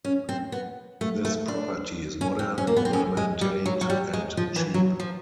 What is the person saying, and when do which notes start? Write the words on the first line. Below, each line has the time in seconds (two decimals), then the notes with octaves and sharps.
This property is modern, well maintained and cheap.
0.04 C#4
0.29 C4
0.52 B3
1.01 A3
1.25 A3
1.48 D4
2.21 C#4
2.39 C4
2.58 C#4
2.67 A#3
2.76 B3
2.85 C4
2.93 C#4
3.17 G#3
3.41 G3
3.66 F#3
3.81 F#3
3.90 G3
4.13 G#3
4.37 F3
4.56 E3
4.74 F#3
5.00 F3